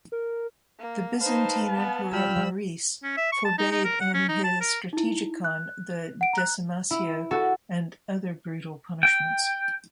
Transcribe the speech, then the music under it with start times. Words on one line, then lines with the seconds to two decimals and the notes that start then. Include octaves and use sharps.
The Byzantine Emperor Maurice forbade in his Strategikon the "decimatio" and other brutal punishments.
0.12 A#4
0.79 A#3
1.21 D#4 B4 C5 F5 A5
1.76 B3
2.13 G3 F4 G5 B5 E6 F6
3.03 C#4
3.17 E5
3.32 C#6
3.45 A5
3.58 D#4
3.71 D#4
3.85 A#4
4.00 F#5
4.14 C#4
4.28 D#4
4.44 A5
4.61 A#4
4.93 D#4 E4
5.44 F#6
6.21 F#5 D7
6.33 A#5 F#6
6.91 E4
7.31 F#4 A4
9.03 G5